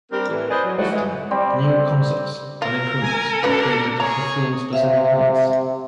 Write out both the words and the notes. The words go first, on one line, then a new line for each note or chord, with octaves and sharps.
Often, new concepts and improvements are created to fulfill specific needs.
G3 C4 D4 A#4
A2 E3
E4 G#4 B4 C5 D5 D#5
F#3
E3 A3 D#4 F4 F#4
E3 G#3
G3 C4 D5
F4 A#4
G#5
C#4 D4 F#4 B4
G#4 C#5 A#5
C3 E5 F5